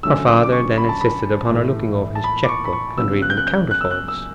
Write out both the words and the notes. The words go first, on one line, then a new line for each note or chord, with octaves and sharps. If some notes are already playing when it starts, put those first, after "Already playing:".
Her father then insisted upon her looking over his checkbook and reading the counterfoils.
D3 F#3 A3 C#4 E6
D6
D6
C#6
B5
A5
B5
A2 E3 A3
A5
B5
D6
C#6
B5
C#6
C#3 F#3 B3 E6
F#6
G6
F#6
G6
F#6
E6
F#6
E6